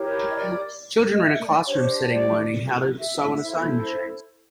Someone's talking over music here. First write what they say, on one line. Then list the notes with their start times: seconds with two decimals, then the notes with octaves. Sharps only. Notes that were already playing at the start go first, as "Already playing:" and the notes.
Children are in a classroom setting learning how to sew on a sewing machine.
Already playing: E4 G4 A#4 C#5
0.28 D#5
0.34 D5
1.14 D#5
1.22 E5
1.44 D5
1.66 D4 G4 C5 C#5
2.10 D5
2.98 E5
3.41 E4 A4 C5